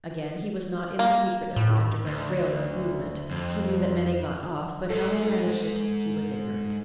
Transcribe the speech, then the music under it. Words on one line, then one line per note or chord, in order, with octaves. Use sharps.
Again, he was not in the secret of the Underground Rail Road movement; he knew that many got off, but how they managed it he was ignorant.
A#3
A2
D2
F2
G#2 A4